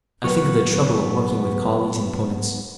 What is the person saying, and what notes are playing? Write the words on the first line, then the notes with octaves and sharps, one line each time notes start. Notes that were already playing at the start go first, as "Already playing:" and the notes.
I think of the trouble of working with colleagues and opponents.
F#3 A#3 B3 B4 C#6